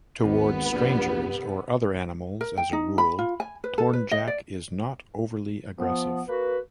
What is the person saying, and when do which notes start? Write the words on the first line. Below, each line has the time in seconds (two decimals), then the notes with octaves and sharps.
Towards strangers or other animals, as a rule, Tornjak is not overly aggressive.
0.23 G#1 D#2 B3
0.72 A#1 G2 C3 G3
2.41 A#4
2.58 G5
2.73 D#4
2.98 B5
3.19 F4
3.40 G#5
3.64 B4
3.78 A4
3.93 B4
4.11 D#5
4.27 D5
5.79 F3 B3
6.28 A#3 F#4 B4